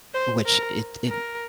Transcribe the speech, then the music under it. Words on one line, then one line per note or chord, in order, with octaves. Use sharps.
which it it
C5
A#4
A#4